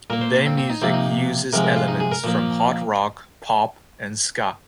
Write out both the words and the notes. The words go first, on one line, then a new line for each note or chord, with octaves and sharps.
Their music uses elements from hard rock, pop and ska.
A#2 A#3 A#4
C5
C5
C4
C4
D#4
C3 F3 A#3 C4
D#4
C3 F3 G#3 A#4
A#4
F4
D#4
G#4
A#4
A#2 F3 A#3